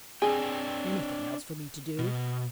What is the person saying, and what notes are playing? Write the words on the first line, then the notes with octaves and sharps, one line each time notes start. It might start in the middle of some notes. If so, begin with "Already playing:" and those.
"Anything else for me to do?"
C4 D4 G#4 G5
B2